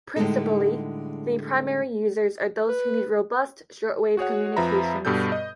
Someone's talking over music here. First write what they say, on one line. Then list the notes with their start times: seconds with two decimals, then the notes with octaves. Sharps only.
Principally, the primary users are those who need robust shortwave communications.
0.16 A2 D3 G3 G#3 D#4 A4
2.69 B4
4.17 F#4 G#4 C#5 F#5
4.56 F2 F3 B4 E5 A#5 B5
5.05 G2 B2 G3 A4 G6
5.32 D#5